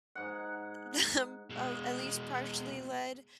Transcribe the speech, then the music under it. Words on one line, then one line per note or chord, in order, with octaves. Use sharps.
them uh, at least partially led,
G#2 F#5
B2 G#3